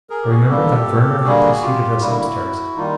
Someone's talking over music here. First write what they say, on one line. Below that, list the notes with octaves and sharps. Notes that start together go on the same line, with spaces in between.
I remembered that Werner had preceded us upstairs.
G#4 A#4
G4
F#4 G#4
D3 G3 A#3 G4 A4
D3 G3 A#3 F#4 G#4
F4 G4
D3 G3 A#3 E4 F#4
D#3 G3 A#3 D#4 F4